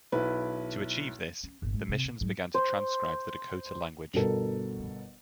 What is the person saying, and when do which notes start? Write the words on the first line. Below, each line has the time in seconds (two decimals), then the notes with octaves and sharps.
To achieve this, the missions began to transcribe the Dakota language.
0.12 B1 E4 B4
1.44 C#4
1.62 G1 A#2
1.74 G#2
1.89 C3
2.05 A#2
2.21 G#2 F#3
2.54 C5
4.14 G1 B2 A4 A#4